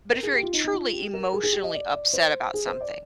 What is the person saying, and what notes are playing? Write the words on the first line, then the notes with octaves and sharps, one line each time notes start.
But if you're truly emotionally upset about something
A#4
G#4
G4
F4
D#4
D#4
F4
G4
A#4
G#4
G#4
G4
D#5
D5
D5
C5
G#4
C5
D5